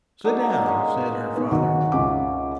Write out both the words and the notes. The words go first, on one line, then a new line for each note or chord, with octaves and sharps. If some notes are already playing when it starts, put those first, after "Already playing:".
"Sit down!" said her father.
F#3 D4 D#4
G#3 A#3 C#4
B3 D#4
B1 B2 D#3 F#4
C#2 C#4 F4 E5 D6